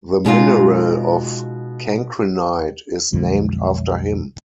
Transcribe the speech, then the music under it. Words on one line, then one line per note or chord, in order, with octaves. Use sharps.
The mineral of cancrinite is named after him.
B2 G#3 D#4 F4
B1 F2 D3 G#3